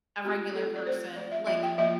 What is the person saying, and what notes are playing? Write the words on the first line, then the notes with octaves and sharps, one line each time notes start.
a regular person, like
A3 C4 F4 G4
A3 C4 F4 A4
D5
A3 C4 F4 C5
A3 C4 F4 D5
E5
F3 A#3 F4 E5
G5
F3 A#3 F4 E5